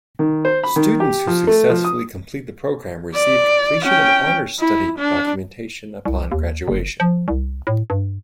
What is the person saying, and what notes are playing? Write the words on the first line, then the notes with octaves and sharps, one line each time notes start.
Students who successfully complete the program receive Completion of Honors Study documentation upon graduation.
D#3
C5
B5
D#3
G4
F3
A3
F3
D#6
D5
C#4 G5
E4
D4
C2
D#2
F#1
F3
C2
A2
G2